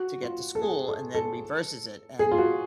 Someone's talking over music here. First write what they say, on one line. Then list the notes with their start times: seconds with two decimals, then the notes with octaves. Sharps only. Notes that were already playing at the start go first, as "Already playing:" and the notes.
to get to school and then reverses it and
Already playing: F#4
0.23 F4
0.55 A4
0.62 G#4
0.88 A4
1.15 A4
2.19 G#4
2.31 F4
2.38 F#4